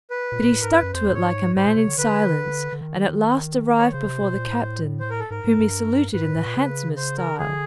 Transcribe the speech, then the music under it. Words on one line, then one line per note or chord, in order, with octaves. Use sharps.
But he stuck to it like a man in silence, and at last arrived before the captain, whom he saluted in the handsomest style.
B4
A#2
A#2
A2
G#2 A#4
G2 B4
F#2
F2 C5
E2
G2
G#2 C#5
G#2 C5
A#2
C3 C#5
D3
D3 B4
D3
D#3
C#5
C#3 C5
C3
B2
A#2
A2
C5
A#4
A4
G#2 A#4
G#2
G2
G#2 B4
A2
A2
A#2
C#3
C5
A#4
D3 G#4